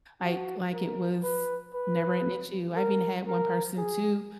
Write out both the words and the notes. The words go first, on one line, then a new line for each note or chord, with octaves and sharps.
like, like, it was never an issue. I've even had one person too,
F#4
A#4
B4
B4
A#4
A#4
G#4